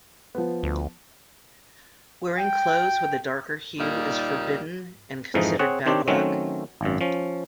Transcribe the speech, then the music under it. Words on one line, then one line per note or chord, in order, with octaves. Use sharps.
Wearing clothes with a darker hue is forbidden and considered bad luck.
F3 B3
D2
G5
D#2 A#2 G3 A#3 D#4
F2 G#2 E3 F3 D#4
C4 G#4 C#5 F#5
D#3 C4 D4 G4 C5 C#5
D#3 F#3 A3 C4 C#4
G#1 F#2
F3 C#4